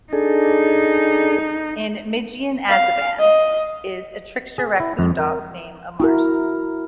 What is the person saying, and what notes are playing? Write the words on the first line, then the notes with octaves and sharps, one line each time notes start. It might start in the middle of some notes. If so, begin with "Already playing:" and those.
In Migian, Azeban is a trickster racoon dog named Amarst.
D4 D#4 G#4 A4
F5
D#5
G#4
E4
F2
A#4
E4 F#4 A#4